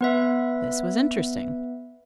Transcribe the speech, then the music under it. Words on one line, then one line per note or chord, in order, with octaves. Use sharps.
This was interesting.
B3 B4 E5